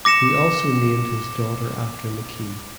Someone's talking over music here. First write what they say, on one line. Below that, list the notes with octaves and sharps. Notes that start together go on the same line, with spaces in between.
He also named his daughter after McKee.
D6 A#6 C#7 E7